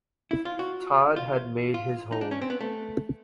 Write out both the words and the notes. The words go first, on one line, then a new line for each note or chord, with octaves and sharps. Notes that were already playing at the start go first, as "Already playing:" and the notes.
Tod had made his home.
E4
F4
F#4
F4
F4
D#4
D4
C#4
C4
B3
A3